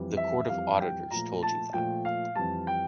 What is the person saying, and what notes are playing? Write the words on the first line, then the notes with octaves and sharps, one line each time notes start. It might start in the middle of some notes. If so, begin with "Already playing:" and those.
The Court of Auditors told you that.
Already playing: F2 E3 G3
E5
F2 E3 G3 F5
G5
A#2 F3 A3 A#5
A5
A#2 F3 A3 G5
F5
F2 E3 G3 A5
G5